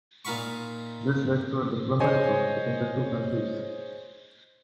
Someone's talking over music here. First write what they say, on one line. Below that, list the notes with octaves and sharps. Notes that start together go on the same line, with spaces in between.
This led to a diplomatic row between the two countries.
A#2 D#4 F5 B5 C#6
G#4 C5 C#5 D#5 G#5